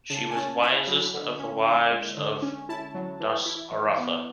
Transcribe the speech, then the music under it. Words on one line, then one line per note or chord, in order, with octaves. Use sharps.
She was wisest of the wives of Dasaratha.
C#3 A5
G#5
C#4 A5
E4 B5
F#3
D3
C#4
E4
G#3
D3
C#4
E4 A5
F#3
E3
E4
E3
B3